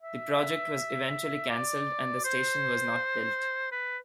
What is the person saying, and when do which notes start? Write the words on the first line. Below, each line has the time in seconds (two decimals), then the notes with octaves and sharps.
The project was eventually cancelled and the station was not built.
0.03 E5
1.50 D5
2.24 C5
3.72 B4